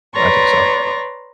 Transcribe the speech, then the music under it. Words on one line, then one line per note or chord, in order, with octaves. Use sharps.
I think so.
B4 C#5 D5 A#5 C6 C#6